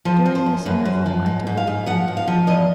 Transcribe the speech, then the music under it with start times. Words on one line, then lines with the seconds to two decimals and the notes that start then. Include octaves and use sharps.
During this interval I took a look below.
0.05 F3 C5
0.26 F3
0.35 C5
0.46 F#2
0.65 F#2 B4
0.85 F#2 C5
1.06 F3
1.26 G#2
1.47 G#2
1.57 F5
1.67 G#2
1.86 F3 F#5
2.08 G#2
2.17 F5
2.28 F3
2.47 E2 D#5